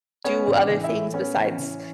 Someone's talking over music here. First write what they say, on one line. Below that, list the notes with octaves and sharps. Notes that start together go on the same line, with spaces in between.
do other things besides
B3 C#4 C#5
A1
D4 D5
E3
E4 E5
A2
B3 C#4 C#5
A1
E3